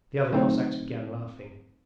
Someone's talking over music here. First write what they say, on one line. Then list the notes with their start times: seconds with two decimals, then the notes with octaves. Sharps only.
The other Cossacks began laughing.
0.25 B4
0.32 D3 F#3 A3 C4 D#4 C5